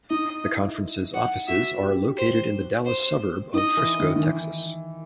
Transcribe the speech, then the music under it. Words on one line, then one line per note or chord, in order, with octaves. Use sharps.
The conference's offices are located in the Dallas suburb of Frisco, Texas.
D#4 D#5
E4
F#5
F#4 E5
G4
C5
C5
D#4 D#5
E3
D#3
D#3
E3